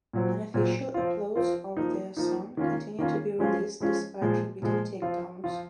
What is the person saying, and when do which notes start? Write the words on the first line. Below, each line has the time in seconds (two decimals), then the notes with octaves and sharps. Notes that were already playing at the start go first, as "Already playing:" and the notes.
Unofficial uploads of the song continue to be released despite repeated takedowns.
0.13 A#2 F#3 C4
0.54 A#2 F#3 C4
0.94 F3 C4 F4
1.36 F3 C4 F4
1.77 F3 A#3 D#4
2.17 F3 A#3 D#4
2.57 D#3 A#3 C#4 F4
2.99 D#3 A#3 C#4 F4
3.39 F3 G#3 C#4 F4
3.80 F3 G#3 C#4 F4
4.21 A#2 F3 G#3
4.62 A#2 F3 G#3
5.02 F3 C4 F4
5.44 F3 C4 F4